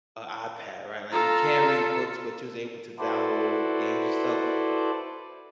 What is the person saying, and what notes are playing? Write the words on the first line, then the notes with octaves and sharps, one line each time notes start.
a iPad, right, like, you can't read books, but you was able to download games and stuff,
F4 A4 A#5
E4 F#4 A4 B4 C5 D5